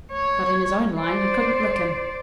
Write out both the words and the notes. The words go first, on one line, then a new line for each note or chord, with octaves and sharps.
But in his own line you couldn't lick him.
C#5
C5 D5